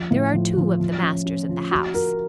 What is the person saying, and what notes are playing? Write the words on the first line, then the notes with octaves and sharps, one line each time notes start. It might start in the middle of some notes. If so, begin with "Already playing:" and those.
There are two of the masters in the House.
Already playing: F3
A2
F3
F3
F3
C#4
C#4
F3
F#4
A#4